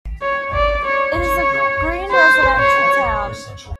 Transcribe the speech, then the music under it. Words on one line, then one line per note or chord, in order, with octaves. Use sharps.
It is a green residential town.
C#5
D5
C#5
C#5
C5
C#5